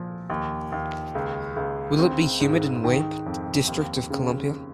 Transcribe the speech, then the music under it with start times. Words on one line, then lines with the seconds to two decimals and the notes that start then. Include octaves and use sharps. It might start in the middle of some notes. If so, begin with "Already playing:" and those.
Will it be humid in Weippe District Of Columbia?
Already playing: A#2 F3
0.30 D#2
0.72 D#2
1.15 C#2
1.56 C#2
1.99 C4
2.40 G#2
2.84 D#3
3.26 F2
3.68 D#2
4.10 C#3